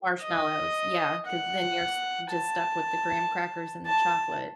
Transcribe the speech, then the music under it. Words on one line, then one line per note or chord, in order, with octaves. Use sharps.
Marshmallows. Yeah. 'Cause then you're s just stuck with the graham crackers and the chocolate.
D#5
F#5
A5
A5